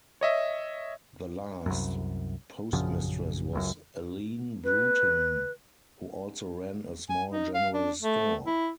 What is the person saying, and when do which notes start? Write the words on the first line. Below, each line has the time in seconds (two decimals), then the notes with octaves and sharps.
The last Postmistress was Allene Bruton, who also ran a small general store.
0.21 C#5 D#5 E5
1.66 C2 F#2
2.73 A#1 F#2 C#3 F3
3.53 F#1 C#2 F#2
4.64 B4
7.10 G#5
7.31 D#4
7.54 F5
7.74 D4
8.02 A3
8.46 E4